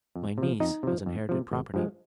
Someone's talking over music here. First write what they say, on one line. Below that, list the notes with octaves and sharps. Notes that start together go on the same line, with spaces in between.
"My niece has inherited property."
F2
C3 F3
F2 D#4 D#5
C3 F3
F2
C3 F3
G#1
G2 F3 G#3